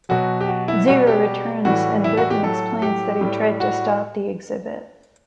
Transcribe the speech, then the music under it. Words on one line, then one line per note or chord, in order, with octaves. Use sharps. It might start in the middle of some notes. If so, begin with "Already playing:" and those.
Zero returns and Burton explains that he tried to stop the exhibit.
B2 F#3 F#4
G4
F#4
E4
B2 G3 F#4
G4
A2 E3 G3 F#4
E4
F#4
G4
A2 F#3 A4
G4
A2 G3
F#4